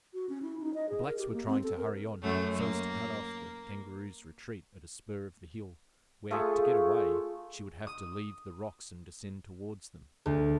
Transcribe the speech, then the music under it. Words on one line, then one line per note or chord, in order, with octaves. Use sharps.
The Blacks were trying to hurry on, so as to cut off the Kangaroo's retreat at a spur of the hill, where, to get away, she would have to leave the rocks and descend towards them.
F#4
C#4
E4
D#4
D#5
G#4
A#4
G4
A#3
C4
A4
A#4
F#2 A3
A#3
A3 F4 G#4
D#6
D2